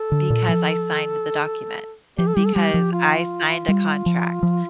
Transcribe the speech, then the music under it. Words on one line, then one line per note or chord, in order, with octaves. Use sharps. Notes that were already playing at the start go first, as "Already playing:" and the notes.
b because I signed the document and because I signed a contract,
Already playing: A4
D3
A#2
F3
F3 G4
A4
G3 G4
A4
G3 G4
F3
F4
G3
F3
F3